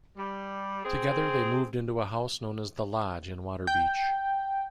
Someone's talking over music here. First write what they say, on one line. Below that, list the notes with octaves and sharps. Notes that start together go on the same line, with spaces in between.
Together they moved into a house known as The Lodge in Waterbeach.
G3
C4 G#4
G5